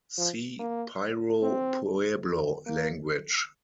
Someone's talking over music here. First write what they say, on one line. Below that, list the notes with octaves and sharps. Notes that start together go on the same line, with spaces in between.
See Piro Pueblo language.
F3
A#3
C4
A#3